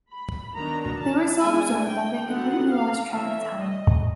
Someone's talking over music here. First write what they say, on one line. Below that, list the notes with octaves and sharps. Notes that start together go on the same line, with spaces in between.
They were so absorbed that they completely lost track of time.
B5
D#3 F#3 B3 D4 A#5
A5
E3 G#3 B3 D4 G#5
G5
D3 F#3 B3 F#5
F5
E3 A3 C#4 E5
D#5